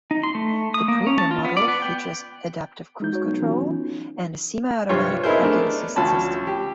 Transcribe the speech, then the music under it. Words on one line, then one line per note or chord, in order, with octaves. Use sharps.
The Premium model features adaptive cruise control and a semi-automatic parking assist system.
D#4
C6
A3
D#6
A#3
C#4
A5
F4
B3
D5
B3
G5
G#3 D#4 G6
F#4 C#5
B1
E3 C#4 F4
G2 C3 F4 C5 C#5
B3 D#4 E4 G#4 A#4 C5
A3 B3 D4 A#4
D2 F3 C#4 A5 B5
G4